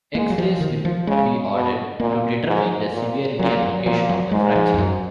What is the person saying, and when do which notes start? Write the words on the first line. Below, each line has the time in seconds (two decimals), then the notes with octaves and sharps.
X-rays will be ordered to determine the severity and location of the fracture.
0.14 G#3 A#3
0.30 F#3
0.38 F3
0.61 D#3
0.85 F3
1.07 C#3 G#3
1.54 B2
2.00 A#2 A#3
2.46 G#2
2.93 A#2
3.39 A#2 F#3
3.63 F#3
3.86 A#2 F3
4.09 F#3
4.31 G#2 G#3
4.56 F3
4.74 F2
4.78 F#2